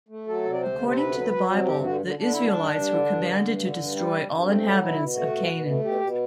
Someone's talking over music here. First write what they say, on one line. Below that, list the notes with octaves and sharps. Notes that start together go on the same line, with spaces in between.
According to the Bible, the Israelites were commanded to destroy all inhabitants of Canaan.
A3
F#3 A4
C3
D5
D2 C5
C3
C5
D2 B4
F#3
F#3
C3
G2 G4
D3 F#4
D3
D3 D4
G2 E4
D4
G2
G2
D3
G2
D3
G2
D3
G2
G3
G2
G2
A3 C4
F#3
B2 E4
B2
A3 F#4
B2
B2
A3
B2 G4
B2